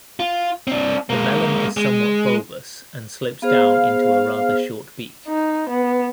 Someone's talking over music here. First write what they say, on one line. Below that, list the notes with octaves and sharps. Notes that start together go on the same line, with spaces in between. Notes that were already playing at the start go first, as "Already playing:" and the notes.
The melon is somewhat bulbous and slopes down into a rather short beak.
F4
C4 D4
G#3 A#3
G#3
B3 G#4 C5 F5
D#4
B3